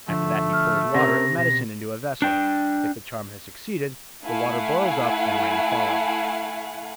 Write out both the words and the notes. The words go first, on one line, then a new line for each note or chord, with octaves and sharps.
After that he pours water and medicine into a vessel; if the charm has succeeded, the water boils up and rain follows.
D3 F3 A3
F6
C3 C#4 A#4 A#6
B2 A#6
D4 G5
A3 E4 F5 F#5 G#5